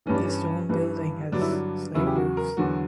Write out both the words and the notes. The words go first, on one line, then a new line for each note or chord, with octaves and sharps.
The stone building has slate roofs.
G2 E3 C#4
D4
C#4
G2 E3
G2 D3 F#3 D4
E4
D4
E2 C#3 F#3 E4
G4
F#4
A#4
E2 D3 F#3 F#4